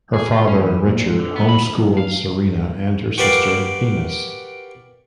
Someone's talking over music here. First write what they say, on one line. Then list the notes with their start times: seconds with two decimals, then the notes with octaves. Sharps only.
Her father, Richard, home-schooled Serena and her sister Venus.
0.14 G#4
0.32 F4
0.48 C#4
0.60 E3
0.86 A#2
1.06 G#2
1.19 D3
1.36 B3
1.49 B5
1.62 D2
1.77 F#3
1.97 F5
3.18 F#4 G4 A#4 B4 D5 F5